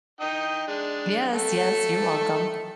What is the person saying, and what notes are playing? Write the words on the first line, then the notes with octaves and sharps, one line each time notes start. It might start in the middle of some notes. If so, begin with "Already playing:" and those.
Yes, yes. You're welcome.
D#4 G5 D#6
G#3 D4
A3 A4